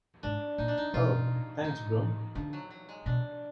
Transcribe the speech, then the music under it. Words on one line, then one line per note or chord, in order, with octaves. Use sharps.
Oh, thanks bro.
G#2 D4
A#2 D#4
D4
D#4
B2 F4
D#4
D3 F3
F#3
F#3
G#3
B2 D4